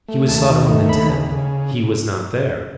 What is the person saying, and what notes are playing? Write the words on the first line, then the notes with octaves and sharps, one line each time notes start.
He was sought among the dead, he was not there.
A3
D#2 A5
D#3
A3
D#2 B5
C#3
C#3